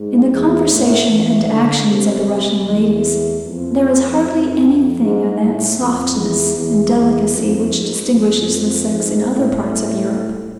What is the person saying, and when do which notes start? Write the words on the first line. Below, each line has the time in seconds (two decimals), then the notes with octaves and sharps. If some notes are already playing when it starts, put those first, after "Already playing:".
In the conversation and actions of the Russian ladies, there is hardly any thing of that softness and delicacy which distinguishes the sex in other parts of Europe.
Already playing: G#2
0.32 E2
0.70 A2
1.09 E3
1.48 D3
1.88 C3
2.66 E2
3.44 F2
4.22 F2
5.00 G#2
5.39 A2
5.79 F2
6.17 E2
6.56 E2
6.95 E2
7.34 F2
7.74 G#2
8.12 F2
8.52 F2
8.90 G#2
9.30 A2